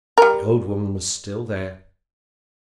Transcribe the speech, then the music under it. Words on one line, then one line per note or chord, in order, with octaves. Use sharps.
The old woman was still there.
G3 A#4